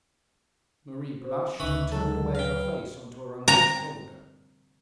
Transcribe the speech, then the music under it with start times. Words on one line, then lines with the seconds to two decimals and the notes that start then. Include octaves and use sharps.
Marie blushed and turned away her face on to her uncle's shoulder.
1.23 C5
1.60 D2 C#3 E3 D#4 B5 C#6 D#6
1.92 F#3 G#3 A4
2.35 B4 F5 G5
3.48 A#5